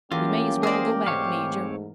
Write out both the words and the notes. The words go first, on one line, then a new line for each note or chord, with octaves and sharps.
We may as well go back, major.
E2 A#3 C#4 F4 G4
G4 G#4 A#4 C5 D5
G#2 A3 C4 C#5 F5